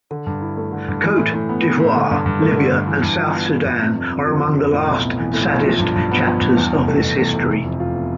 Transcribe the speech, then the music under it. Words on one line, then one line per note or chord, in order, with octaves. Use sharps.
Côte d'Ivoire, Libya and South Sudan are among the last saddest chapters of this history.
D3
G2
E4
A3
D3
G2
E3
A2
A2
B3
E3
A2
D3
G2
G2
A3
D3
G2
E3
G2
F4
B3
E3
G2
C3
F2
F2
F3
C3
F2
A2
B1
B3
E3
A2
B1
F3
G2
G2
B3
F3
G2
E2
F1
A3
B2
E2
F1
E3
F2
F4
B3